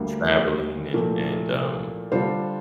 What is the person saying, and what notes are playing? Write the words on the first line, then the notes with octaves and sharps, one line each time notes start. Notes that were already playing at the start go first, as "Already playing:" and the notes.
traveling and and, um,
Already playing: D2 D3 G3 A#3
A#2 F3 A3 E4 A#4
D3 G3 D4 F4 C5